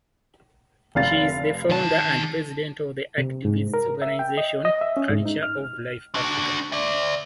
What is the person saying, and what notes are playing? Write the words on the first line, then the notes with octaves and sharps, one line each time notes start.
She is the founder and president of the activist organisation "Culture of Life Africa".
F1 F5 A6
D#3 A5
C3
G#2
A#4
E5
G5
D#5
D#5
E5
C#4
G#2
D#4
F6
D4 F#4
D5 E5